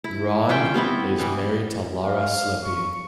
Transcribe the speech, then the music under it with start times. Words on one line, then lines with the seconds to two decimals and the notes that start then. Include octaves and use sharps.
Raun is married to Laura Slippy.
0.04 E4
0.49 C#4 F4 E5 G5
0.74 G3 B3 C4 E4
1.18 E3 G3 B3
2.05 F5
2.65 C#6